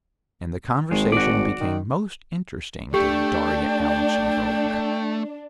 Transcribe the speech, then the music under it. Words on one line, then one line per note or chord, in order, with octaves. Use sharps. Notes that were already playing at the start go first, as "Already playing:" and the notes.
And the conversation became most interesting to Darya Alexandrovna.
G#1 G#3
F#4 D5
D#3
A3 D4 G4 G5